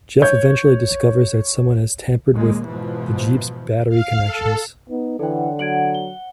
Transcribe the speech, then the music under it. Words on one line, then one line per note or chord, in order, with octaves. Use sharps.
Jeff eventually discovers that someone has tampered with the Jeep's battery connections.
C#5 G6
D#2 A#2 G#3 A#3
G#2 B2 E3 F3
F5
A4
B3 D#4
D3 E3 A4 C#5 F#5 G5
F#3 F#5 G#6 D7 F#7
G7